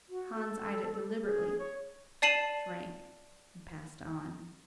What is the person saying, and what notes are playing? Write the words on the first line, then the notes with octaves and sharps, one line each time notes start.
Hans eyed it deliberately, drank, and passed on.
F#4
A4
G#4
C#5
D5 A5 C7 D#7 E7 F#7